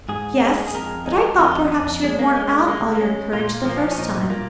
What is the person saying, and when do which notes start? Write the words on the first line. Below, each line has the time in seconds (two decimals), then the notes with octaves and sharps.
"Yes, but I thought perhaps you had worn out all your courage the first time."
0.09 G#2 G#4
0.41 G#3
0.67 G#4
0.74 F2 A#4
1.05 G#3 D#4
1.38 F2 D#4
1.49 F4
1.59 D#4
1.71 F2 D#4
2.03 G#3 C#4
2.19 A#3
2.36 G#3 C#4
2.52 A#3
2.68 G#3 A#3
2.95 A#3
3.00 G#3 C#4
3.33 A#2 F4
3.65 F3 A#3
3.77 C#4
3.91 C#4
3.98 A#2 D#4
4.30 A#2 A#3